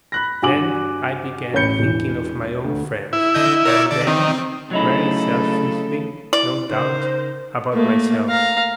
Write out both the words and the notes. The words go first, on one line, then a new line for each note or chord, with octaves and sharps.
Then I began thinking of my own friends, and then, very selfishly no doubt, about myself.
B5 F#6 A#6
G2 F#4 G#5 D6 F#7
A1 C#5 B5 G6 C#7
E1 E3
D2
E4
D3 D#5 G6
A#4 C#5 D5
D3 D5
D#3 C4
C#3 F#3 A3 D#4 E4 A4
E4 D5
C#3 D#4 A#4 C5
A3 A#3
F5 A#5